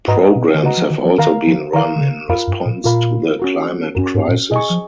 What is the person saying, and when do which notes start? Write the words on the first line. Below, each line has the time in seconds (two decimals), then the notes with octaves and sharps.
Programmes have also been run in response to the climate crisis.
0.08 G#2 F#4 B4 D#5 F#5 A#5
0.35 B2
0.54 D#3
0.63 C#3 F#4 B4 D#5 F#5 A#5
0.77 F3
0.90 D#3
1.05 F3
1.18 D#3 A#4 F5 A#5
1.47 F3
1.73 D#3 A#4 F5 A#5
1.96 D#3
2.01 C#3
2.29 F2 F4 A#4 F5 B5
2.47 F#2
2.66 A#2
2.84 A#2 F4 A#4 F5 B5
3.39 C#4 F#4 A#4
3.95 F#2 C#4 F#4 A#4
4.14 G#2
4.28 G#2
4.32 A#2
4.51 B2 G#4 D#5 G#5 C#6
4.70 F3